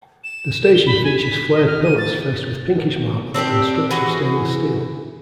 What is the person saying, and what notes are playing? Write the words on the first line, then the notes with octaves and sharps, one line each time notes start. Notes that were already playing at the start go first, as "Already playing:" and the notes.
The station features flared pillars faced with pinkish marble and strips of stainless steel.
E7
E7
G7
B5
G#5
B6
D#5
F6
D#7
A6
C4 D4 F#4 G4
E3 F#4 G#4